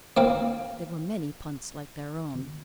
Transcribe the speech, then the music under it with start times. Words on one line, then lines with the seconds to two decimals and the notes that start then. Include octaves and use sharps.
There were many punts like their own.
0.17 A#3 C4 F5